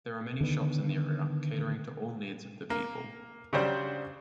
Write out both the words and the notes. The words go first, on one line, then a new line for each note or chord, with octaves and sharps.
There are many shops in the area catering to all needs of the people.
D3 D#3 B3
A#3
C#3 F#3 G3 D4 C5